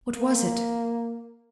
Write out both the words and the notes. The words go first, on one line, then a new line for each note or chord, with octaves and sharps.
What was it?
A#3